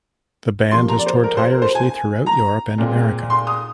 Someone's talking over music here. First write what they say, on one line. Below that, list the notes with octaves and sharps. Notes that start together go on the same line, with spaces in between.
The band has toured tirelessly throughout Europe and America.
C3 F3 A#3 C6
A#5
D5
C5
A#4
C5
A#4
C5
G#5
A#5
A#2 G#3 C4
C6
D#6